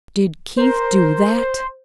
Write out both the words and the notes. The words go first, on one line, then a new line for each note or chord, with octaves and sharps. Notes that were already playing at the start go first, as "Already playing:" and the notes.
"Did Keith--do that?"
A#4 C5